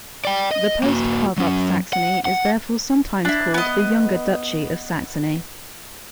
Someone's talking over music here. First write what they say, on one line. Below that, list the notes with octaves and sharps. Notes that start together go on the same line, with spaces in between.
The post carve-up Saxony is therefore sometimes called the "younger Duchy of Saxony".
D5 G5
D#5
A#3 F#4
F#3 C#4
F#5
F#5
D4 E4
B3 D#5